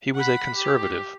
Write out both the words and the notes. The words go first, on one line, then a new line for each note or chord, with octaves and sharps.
He was a Conservative.
F#5 B5
G4